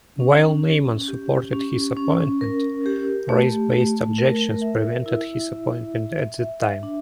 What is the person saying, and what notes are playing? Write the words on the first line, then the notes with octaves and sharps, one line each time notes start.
While Neyman supported his appointment, race-based objections prevented his appointment at that time.
C#4
C#4
G4
C#4
C#4
A#4
G4
A3
A3
A#4
E5
E4
E5
E5
E5
D4